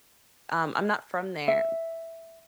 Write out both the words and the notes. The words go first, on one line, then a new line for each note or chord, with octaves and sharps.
um, I'm not from there,
E5